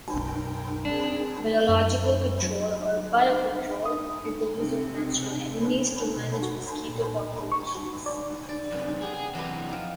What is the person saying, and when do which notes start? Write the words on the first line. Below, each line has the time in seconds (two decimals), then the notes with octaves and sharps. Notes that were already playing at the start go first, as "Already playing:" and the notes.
Biological control or "biocontrol" is the use of natural enemies to manage mosquito populations.
0.13 B1 F#2 A#4 G5
0.85 G#3 C4 D4 G#4 A#4
1.68 F#2
2.42 F#3
3.19 E5
3.85 D#6
4.55 C3
6.16 B2
6.42 F#4
6.88 A#2
7.52 C#6
7.75 F#4
8.06 D5
8.49 D5
8.72 F#2 C3 B4
9.02 B3 G4 G#4
9.14 G#4
9.35 C3 E3 F#3 G4 B4
9.69 F3 D#4